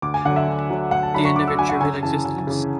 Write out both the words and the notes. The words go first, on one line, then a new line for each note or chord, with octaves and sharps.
The end of your trivial existence?
D2 D6
G#5
D3 F#3 F#5
E5
D2
D3 F#3
D2 F#5
A5
D3 F#3 B5
C#6
D2 D6
E6
D3 F#3 G#5
F#5
F#2 G#5
C#3 E3 A5
F#2
C#3 E3